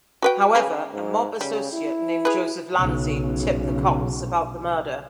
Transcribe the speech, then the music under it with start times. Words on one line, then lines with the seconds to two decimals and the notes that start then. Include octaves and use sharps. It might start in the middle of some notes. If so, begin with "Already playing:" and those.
However, a mob associate named Joseph Lanzi tipped the cops about the murder.
0.22 F#4 B4 G5
0.55 C#3 B4
0.93 G#2
1.41 C#3 G3
1.72 E4
2.25 G#4 B4
2.76 B1 C#3